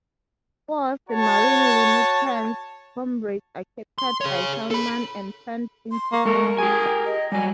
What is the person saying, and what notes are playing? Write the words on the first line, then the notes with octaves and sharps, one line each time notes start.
Four of the marine lieutenant's comrades are captured by Hellman and turned into zombies.
F#4 C#5 A5
C6
G#4 C#5
A4 B5
C6
A#3 C#6
G#3 A4 A#4
G4 G#4 G#5
D#5
F#3 G3 G#5